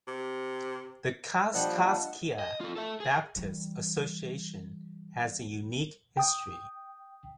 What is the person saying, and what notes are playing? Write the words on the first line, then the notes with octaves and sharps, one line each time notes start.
The Kaskaskia Baptist Association has a unique history.
C3
F3 G3 A#3 D4 D#5 F#5 A5
D#5
F4 A4
A4 E5
G#4
E3 G3
G5 D#6